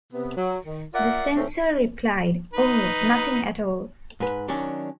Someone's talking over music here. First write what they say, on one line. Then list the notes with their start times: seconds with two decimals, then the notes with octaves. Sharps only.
The censor replied, Oh, nothing at all.
0.13 C3 B3
0.37 F#3
0.65 D#3
0.94 F4 A#4 D5 E5 F#5
1.35 F2 G#2 B2 A3 C4 C#4
2.54 D#4 B4
4.20 G#2 B4
4.48 D#3 F#3 C#4 D4